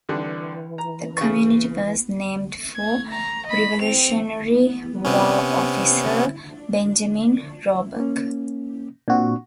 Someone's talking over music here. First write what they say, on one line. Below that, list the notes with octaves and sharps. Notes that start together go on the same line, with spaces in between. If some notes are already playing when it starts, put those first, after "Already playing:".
The community was named for Revolutionary War Officer, Benjamin Roebuck.
C2 D3 E3 D4
A#5
C#3 C#6
G#6
A#5
D#5 B5
C4 F7
C3 B3 C#4
A#3 C#4
A#2 C4 D4 F#4